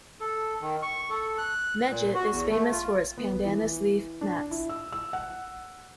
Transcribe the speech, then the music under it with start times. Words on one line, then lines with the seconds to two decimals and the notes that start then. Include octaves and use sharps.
Mejit is famous for its pandanus leaf mats.
0.20 A4
0.61 D#3
0.82 C#6
1.10 A4
1.38 F#6
1.90 A#2
2.14 F#4
2.31 E2
2.50 A3
2.72 F4
3.18 B3
3.45 E3
4.21 D4
4.51 E4
4.70 E6
4.92 E6
5.13 F#5